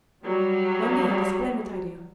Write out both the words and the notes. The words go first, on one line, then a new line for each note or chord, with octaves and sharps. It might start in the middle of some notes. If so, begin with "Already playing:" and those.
Wendy had a splendid idea.
F#3 G3